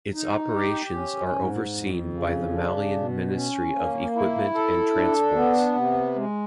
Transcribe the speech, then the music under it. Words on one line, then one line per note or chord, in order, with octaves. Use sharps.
Its operations are overseen by the Malian Ministry of Equipment and Transports.
D#4
G4
C#4
G#2
F2
C#3
D4
B2
C#4
A#3
E4
A4
D4
B3
C3
G#3